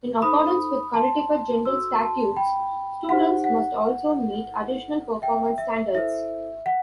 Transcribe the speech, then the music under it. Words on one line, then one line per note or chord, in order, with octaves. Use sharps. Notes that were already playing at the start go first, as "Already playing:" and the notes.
In accordance with Connecticut General Statutes, students must also meet additional performance standards.
D#4 A4 C5 B5 D#6
A5 C6
F#4 A4 C5 C6 E6
A5 C6
G5 B5
D#4 G4 C5 F#5
F#5
E4 A4 C5
E5 G5
E5
E4 A4 C5 E5
F#5